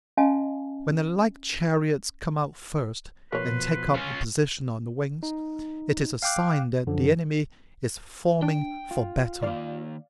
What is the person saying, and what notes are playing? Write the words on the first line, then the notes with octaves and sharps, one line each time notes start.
When the light chariots come out first and take up a position on the wings, it is a sign that the enemy is forming for battle.
C#4 F#4 D#5 F5 G#5 A5
B2 F3 A#4 B4 C#5 C6
C#4 F4
D#4
F5 G5 D6 F#6
F#2 D3 F3
D4 G5
F4
D#3 A#3 D5 F5